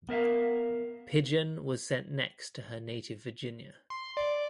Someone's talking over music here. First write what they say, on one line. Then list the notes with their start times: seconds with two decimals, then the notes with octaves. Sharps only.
Pidgeon was sent next to her native Virginia.
0.09 B3 A#4 E5 F5
3.90 C6
4.17 D5